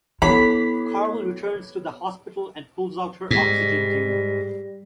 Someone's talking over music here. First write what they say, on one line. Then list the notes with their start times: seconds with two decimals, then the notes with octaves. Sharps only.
Karl returns to the hospital and pulls out her oxygen tube.
0.22 B3 E4 G4 A4 C#5 B5
3.31 G#2 G3